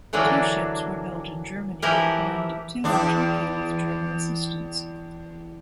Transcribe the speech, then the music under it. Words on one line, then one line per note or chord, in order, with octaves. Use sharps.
Two ships were built in Germany and two in Turkey with German assistance.
D3 E3 F#3 A#3 D4
E3 F3 E4 G4 A#4
E2 D4